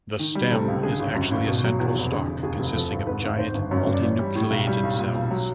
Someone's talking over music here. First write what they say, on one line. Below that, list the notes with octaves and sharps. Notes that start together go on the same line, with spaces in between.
The "stem" is actually a central stalk consisting of giant, multinucleated cells.
D#3
G3
C3 A4
C#2
D3 G#4
G#1
F#2
G#1
B2
F#3
E2
F1
D3 G#4
F1
D#2 G#4
F1
F3 A4
G#1
G#2 B4
G#1
D#3 C5
G1
F#2 C#5
G1
D5
E3 C#5
G3
A2
B1
G3
B1
A#2
B1
F#3